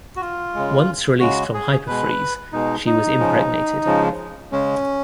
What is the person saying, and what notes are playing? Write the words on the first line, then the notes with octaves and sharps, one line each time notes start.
Once released from Hyperfreeze she was impregnated.
F#4
F4
C#3 G#3
C#3 G#3 F#4
G#4
B2 G#3 B4
B2 G#3 D#4
D#4
C#3 F3 G#3
C#3 F3 G#3
C#3 G#3 C#4